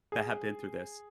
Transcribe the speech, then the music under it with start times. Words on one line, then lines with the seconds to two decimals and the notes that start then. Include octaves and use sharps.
that have been through this,
0.12 G#4